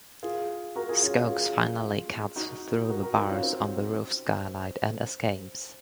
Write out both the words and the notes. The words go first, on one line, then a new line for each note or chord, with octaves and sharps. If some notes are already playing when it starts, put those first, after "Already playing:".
Skokes finally cuts through the bars on the roof skylight and escapes.
F4 G#4
F#4 A#4
F4 G#4
C#4 F4
F4 G#4
D#4 F#4
F#4 A#4
F#4 A#4
D#4 F#4
C#4 F4
C4 D#4